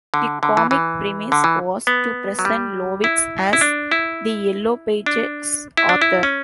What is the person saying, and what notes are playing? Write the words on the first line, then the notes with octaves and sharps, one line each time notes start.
The comic premise was to present Lovitz as the Yellow Pages' author.
D3
D3
E3
E3
D3
E3
B3
F#3
G3
E4
E4
D4
E4
D4
E4
D4
E4
C#4